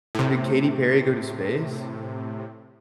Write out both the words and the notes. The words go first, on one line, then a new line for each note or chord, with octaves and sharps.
Did Katy Perry go to space?
A2 C3